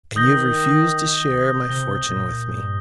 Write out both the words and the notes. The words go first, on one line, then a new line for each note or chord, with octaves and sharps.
"And you have refused to share my fortune with me."
D#3 D#6 G6 A#6 G7
C3 A#6 G7
A#2
G2